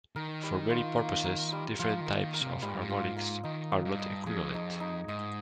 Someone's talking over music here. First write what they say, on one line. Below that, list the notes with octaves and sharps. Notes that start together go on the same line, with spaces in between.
For many purposes different types of harmonics are not equivalent.
D#3 A#4
G3
F4
A#3
A#4
G3
F3 F4
D#3
A#3
D#3
A#4
C3
G#2 G3
G2
G#2
F4
A#3
D#3 D#4
D#4
G2
D#5
F2 G#4
D#4
D#4
G#2 D#5